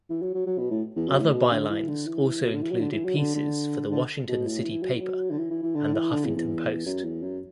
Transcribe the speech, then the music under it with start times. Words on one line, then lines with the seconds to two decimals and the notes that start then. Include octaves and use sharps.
Other bylines also included pieces for the Washington City Paper and the Huffington Post.
0.10 E3
0.22 F#3
0.34 F#3
0.46 F#3
0.58 B2
0.71 A2
0.96 E2
1.08 F#2
1.20 A2
1.32 B2
1.51 D3
1.69 E3
1.88 D3
2.06 E3
2.44 B2
2.53 D3
2.62 E3
2.71 F#3
2.80 D3
2.92 E3
3.05 F#3
3.17 D3
3.35 D3
3.90 D3
4.28 B2
4.46 A2
4.64 E3
4.82 F#3
4.97 E3
5.01 F#3
5.31 D3
5.38 E3
5.50 E3
5.63 E3
5.75 D3
5.94 E3
6.12 D3
6.25 E2
6.37 E2
6.86 F#2
7.04 E2
7.22 F#2